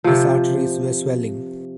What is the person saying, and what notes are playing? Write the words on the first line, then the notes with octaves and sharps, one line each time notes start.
His arteries were swelling.
C3 F3